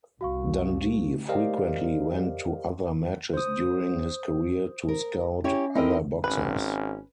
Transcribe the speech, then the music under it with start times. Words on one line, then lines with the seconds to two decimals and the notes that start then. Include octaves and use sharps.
Dundee frequently went to other matches during his career to scout other boxers.
0.21 C2 F#4 F5 C#6
1.29 G4 A#4 C5 D5 D#5 F5
3.34 C5 D#6
4.88 A#4
5.44 C#4 E4 G4 C#5
5.75 C4 D#4 E4 A4 A#4 D#5
6.24 G#1 C#4 B4